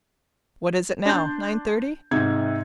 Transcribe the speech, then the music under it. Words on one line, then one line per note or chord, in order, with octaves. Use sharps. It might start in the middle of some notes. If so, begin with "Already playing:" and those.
What is it now--nine thirty?
D4 A5 C6 G6
G#2 C3 D#4 G#6